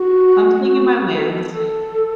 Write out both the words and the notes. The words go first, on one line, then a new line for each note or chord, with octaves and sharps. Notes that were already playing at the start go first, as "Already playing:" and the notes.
I'm taking my wins.
Already playing: F#4
B4
A4